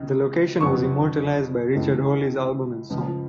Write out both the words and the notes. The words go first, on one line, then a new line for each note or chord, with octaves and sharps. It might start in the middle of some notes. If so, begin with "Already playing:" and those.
The location was immortalised by Richard Hawley's album and song.
Already playing: C#2 C#3
F2 C#3 F#3 B3 C#6
C#2 C#3 E3 A3
C#2 C#3 F3